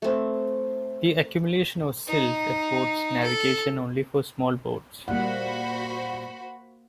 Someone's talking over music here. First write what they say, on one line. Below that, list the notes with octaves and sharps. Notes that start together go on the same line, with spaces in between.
The accumulation of silt affords navigation only for small boats.
A3 C4
D#4
A4
A#2 G3 A#3 F#4 C5 F#5 B5